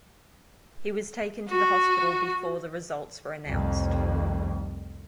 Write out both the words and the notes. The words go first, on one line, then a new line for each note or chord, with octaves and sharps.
He was taken to the hospital before the results were announced.
F#4
C2 F2 A2 D#3